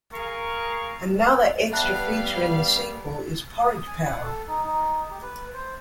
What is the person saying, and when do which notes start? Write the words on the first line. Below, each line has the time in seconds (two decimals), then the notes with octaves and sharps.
Another extra feature in the 'sequel' is "porridge power".
0.13 G#4 A#4 F5 C#6
1.73 G3 B3 E5 F5 A5 B5 F#6
3.57 D#6
3.87 G#5
4.05 F#5
4.23 A4
4.48 D#4
4.65 D#4
5.11 G4
5.22 B4
5.54 C5